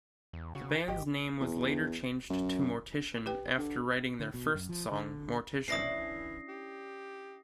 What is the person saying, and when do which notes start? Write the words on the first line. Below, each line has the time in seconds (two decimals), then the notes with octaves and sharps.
The band's name was later changed to Mortician after writing their first song, "Mortician".
0.33 E2
0.55 C#3 F#4
0.88 G#1 G4 D#5
1.41 E2
2.30 F#2
3.26 G4 B4 G5
3.58 D3
4.19 D3
4.34 B2
4.54 F#2
4.69 F3
4.91 D3
5.68 E3 C#4 D4 E4 D#6 A#6 C7
6.48 G4